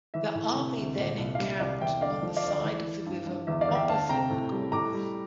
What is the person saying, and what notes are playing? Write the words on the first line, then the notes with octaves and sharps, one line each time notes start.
The army then encamped on the side of the river opposite the Gauls.
E3 E5
A2
C3
D2
A#2
C2
F5
G3 E5
C2 D5 F5
E2 E5 G5
D3 D5 F5
F3
D5 F5
D2
D5
E3
E3
G2
G2
E2 E5
D5 F5
E2
E5 G5
D2 F5 A5
C3 G5 A#5
A2
G3
A2 A#5 D6
G3